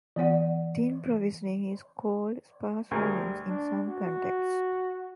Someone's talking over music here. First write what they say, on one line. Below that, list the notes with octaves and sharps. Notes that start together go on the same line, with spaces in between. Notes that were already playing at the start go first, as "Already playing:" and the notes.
Thin provisioning is called "sparse volumes" in some contexts.
E3 B3 D5 F#5
D2 G3 G#4 A#4
D4
F#4